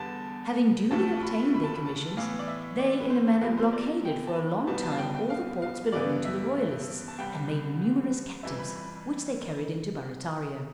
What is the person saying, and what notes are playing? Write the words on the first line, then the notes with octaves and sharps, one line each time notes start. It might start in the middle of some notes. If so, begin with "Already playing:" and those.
Having duly obtained their commissions, they in a manner blockaded for a long time all the ports belonging to the royalists, and made numerous captives, which they carried into Barrataria.
Already playing: E2 D3 G3 B3 A5
D2 C3 F3 A3 A5
B5
B5
A5
B5
A5
A2 E3 B3 F5
D5
E5
D5
B4
C5
A4
E2 C3 F3 B3 B4
C5
D5
G5
A5
B5
C2 B2 G3 B3 A5
A5
F5
G5
G5
F5
F5
G2 E3 B3 D5
E5
A5
C2 C3 G3 G5
F2 E3 G3 E5
B5
B5